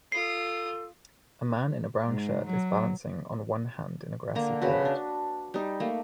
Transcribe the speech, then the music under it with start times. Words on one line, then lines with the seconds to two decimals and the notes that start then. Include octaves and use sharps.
A man in a brown shirt is balancing on one hand in a grassy field.
0.12 F4 A4 D#6 C7
2.07 G#2
2.45 F#3
4.35 D3 A#3 A#5
4.62 C#3 F#4 B4
4.85 D4
5.54 G3 D#4
5.80 A3 A#3